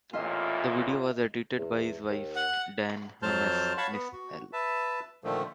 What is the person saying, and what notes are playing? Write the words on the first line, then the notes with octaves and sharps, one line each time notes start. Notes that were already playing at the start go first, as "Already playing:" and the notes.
The video was edited by his wife, Dyan Humes-Nispel.
A1 E2 A#2 F4 D#5 E5
E2
D#2
F#5
F2 F#3 C5 A5 F6 G6
C#5 F5 F#5 A5 B5 C#6
B3
F#4
B4 E5 A5
A#2 D3 D#3 F3 A3